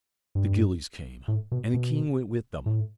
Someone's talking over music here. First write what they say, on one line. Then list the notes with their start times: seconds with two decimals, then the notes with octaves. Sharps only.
The gillies came, and the king went with them.
0.35 G2
1.28 A2
1.52 B2
1.74 B2
2.66 A2